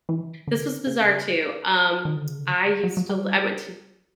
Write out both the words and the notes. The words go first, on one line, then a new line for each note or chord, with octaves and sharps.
this was bizarre too, um, I used to li I went to
E3
D3
C#3
D#3
D3
C#3
D3
F#3
F#3
G3